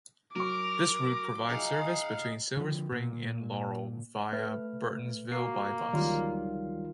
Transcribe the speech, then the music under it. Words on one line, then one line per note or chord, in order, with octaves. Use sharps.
This route provides service between Silver Spring and Laurel via Burtonsville by bus.
F#3 A#4 C#6 D6
D#4 G#4 F5 F#5
D3 F3
A#2
A3 B4 F6
A#3 F#4 C7
C#2 D#3 F#3 G3 F4